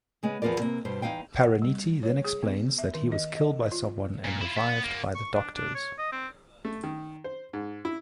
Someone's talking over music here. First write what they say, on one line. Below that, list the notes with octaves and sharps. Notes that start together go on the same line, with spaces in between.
Parineeti then explains that he was killed by someone and revived by the doctors.
C#3 G#3 B3
E2 F3 B3 F4 A#4 D5
C3 A#3
G2 B2 C5
E2 F#3 D#4 F5 G5
F#5
G3
C#5
G#4
B3
E5
D#3
D#5
D#5
F4
A#2
E4 F4
B3 E5
B3
F#2 A#3
C#6
D4
D4
C#5
D#5
C4
A3
D#3
C5
G#2
E4